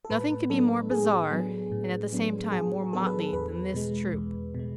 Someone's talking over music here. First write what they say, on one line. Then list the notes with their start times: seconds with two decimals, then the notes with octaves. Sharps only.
Nothing could be more bizarre and at the same time more motley than this troop.
0.05 A4
0.10 A2 B4
0.50 F#3 B3 D4 A4
0.91 A2 G#4
1.31 F#3 B3 D4
1.72 A2
2.13 F#3 B3 D4
2.52 A2 G#4
2.93 F#3 B3 D4 A4
3.07 B4
3.20 A4
3.33 E2 B4
3.74 B2 G#3
4.14 E2
4.55 B2 G#3